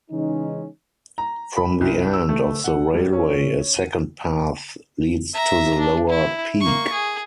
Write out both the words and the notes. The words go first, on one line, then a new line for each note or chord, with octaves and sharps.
From the end of the railway a second path leads to the lower peak.
C#3 E3 G#3 C#4 D#4
A#5
B5
C2
E6
A3
F#5
G3
C#4
D#7
E5 A#5
D4
E4
A#3 C#6
G#4